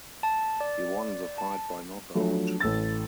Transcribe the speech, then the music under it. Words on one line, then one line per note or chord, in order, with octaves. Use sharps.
He won the fight by knockout.
A5
D5
A5
F3 F#3 A3 D4
A1 A4 E6 A6